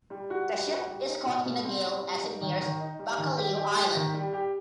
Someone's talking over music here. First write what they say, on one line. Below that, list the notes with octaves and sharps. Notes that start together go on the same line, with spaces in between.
The ship is caught in a gale as it nears Baccalieu Island.
G3
F#4
G3
F#4
G3
D#4
B2
B2
C4
G3
G3
D#4
D#3
D#3
D#4
G3
D#3
G4
G4
G4
D#3
G3
G4